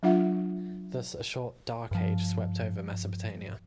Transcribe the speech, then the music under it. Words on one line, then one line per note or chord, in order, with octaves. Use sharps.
Thus, a short "dark age" swept over Mesopotamia.
F#3 D4 F4 E5 F#5
G2 F3